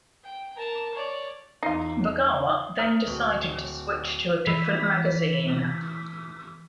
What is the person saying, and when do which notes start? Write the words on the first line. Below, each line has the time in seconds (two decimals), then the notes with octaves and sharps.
Ragawa then decided to switch to a different magazine.
0.24 G5
0.56 A#4 A5
0.94 C#5 D5
1.63 E2 D#4 F4 C7
2.79 A#5 D#6 F6
3.07 D1
4.45 E3 B6